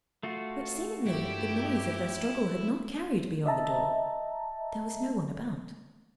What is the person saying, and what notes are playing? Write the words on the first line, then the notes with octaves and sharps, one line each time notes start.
But seemingly the noise of their struggle had not carried beyond the door. There was no one about.
A3 F4 F#4
G2 E4 G4
D#5 E5 A5 A#5